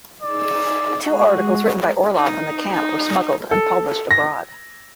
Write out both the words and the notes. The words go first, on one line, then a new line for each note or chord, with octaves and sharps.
Two articles written by Orlov in the camp were smuggled and published abroad.
D#4 G#4 D5 E6
G#3 F#4 G#4
D#4
D#4
A4
A#6